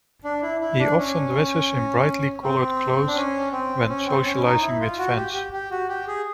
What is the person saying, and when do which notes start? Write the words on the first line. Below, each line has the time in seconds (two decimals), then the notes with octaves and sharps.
He often dresses in brightly colored clothes when socializing with fans.
0.24 D4
0.42 E4
0.61 E4
0.79 D4
0.98 C#4
2.43 C4
3.07 D4
3.15 C#4
3.52 C4
3.89 C#4
4.07 C4
4.25 C#4
4.43 D#4
4.62 E4
4.80 F4
4.98 F#4
5.16 G4
5.34 G4
5.53 G4
5.71 F#4
5.89 G4
6.07 G#4